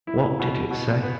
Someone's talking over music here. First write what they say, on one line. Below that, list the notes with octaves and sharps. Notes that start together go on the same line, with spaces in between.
What did it say?
E4
B2
B2
B3